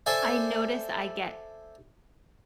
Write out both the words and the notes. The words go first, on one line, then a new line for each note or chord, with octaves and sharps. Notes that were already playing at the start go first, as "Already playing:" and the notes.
I noticed I get
A4 C5 D5 E5 G#5